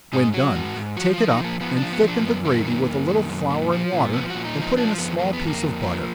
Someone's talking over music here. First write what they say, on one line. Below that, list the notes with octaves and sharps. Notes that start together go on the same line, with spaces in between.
When done, take it up, and thicken the gravy with a little flour and water, and put in a small piece of butter.
G#2 D#4
F#3 F#4
G#2
G#2
F3 F#4
F3 F4
D#4
F3 A#3
F3 B3
D4
F3
B3
F3
D4
A#3
F#2 B3
D#3 A#3
F#2 A#3
F#2
D#3
F#2
A#2
F3
A#2
F3 B3
A#2 F#4
D#4
F3 D#4
F3 D4
F2 B3
F2 A#3
B3
F2
A#3
F2
F3